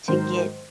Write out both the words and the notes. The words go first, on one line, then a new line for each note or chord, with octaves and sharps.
to get,
G#2 D#3 F#3 A#4 C5